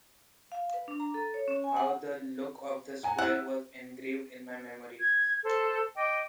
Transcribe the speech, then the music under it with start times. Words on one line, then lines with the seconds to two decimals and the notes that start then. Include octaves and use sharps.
How the look of the square was engraved in my memory!
0.52 F5
0.74 B4
0.88 D4
1.00 A#5
1.14 A4
1.34 C#5
1.48 C#4
1.64 G#5
1.77 F#5
3.03 F#5 G#5 A#5
3.19 E4 F#5
5.00 G#6
5.44 A4 C5
5.95 D#5 G5 D6